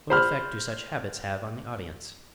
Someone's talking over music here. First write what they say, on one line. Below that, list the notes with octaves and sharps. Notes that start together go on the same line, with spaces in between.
What effect do such habits have on the audience?
C5 B5 F6